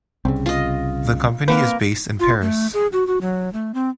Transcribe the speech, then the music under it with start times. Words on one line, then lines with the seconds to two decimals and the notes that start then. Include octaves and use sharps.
The company is based in Paris.
0.25 C2 C#3 C4
0.46 F4 D#5
1.48 A#3 C4 A#4 B4
2.20 F4
2.41 A3
2.74 G#4
2.92 F#4
3.07 F#4
3.21 F#3
3.53 A3
3.74 C4